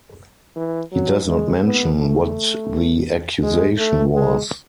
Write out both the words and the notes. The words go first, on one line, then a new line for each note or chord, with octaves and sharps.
He does not mention what the accusation was.
E3
F#3
G#3
B3
A3
G#3
A3
G#3